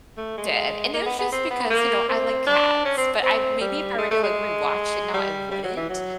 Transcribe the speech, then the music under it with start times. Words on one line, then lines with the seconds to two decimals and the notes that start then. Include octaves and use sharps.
Did and it was just because, you know, I like cats, but I maybe if I were to, like, rewatch it now I wouldn't.
0.17 A3
0.38 G#3
0.94 A#3
1.06 B3
1.19 B3
1.32 C4
1.51 B3
1.70 A#3
2.09 C4
2.47 D4
2.85 C#4
2.97 C4
3.23 C4
3.61 G3
3.99 G#3
4.11 A3
4.24 G#3
5.14 G3
5.51 G3
5.64 F#3
5.77 E3
5.89 F#3